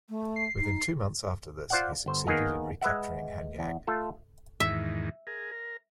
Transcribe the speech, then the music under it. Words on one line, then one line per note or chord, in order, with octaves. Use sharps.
Within two months after this he succeeded in recapturing Hanyang.
A3
C7
D#4
F4 C5 D5 F5 F#5
G1 C5
D#3 A#3 B3 G#4 D#5 F5
G#3 B4 E5 F#5
E2
A3 F4 A4
E2 G#2 D#3 E5
G#4 A#4
A#4